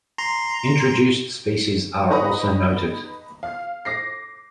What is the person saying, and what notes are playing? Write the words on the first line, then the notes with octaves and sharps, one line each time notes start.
Introduced species are also noted.
A#5 C6
D#4 B4 A#5 C#6 D#6
F5
D6 A#6 C7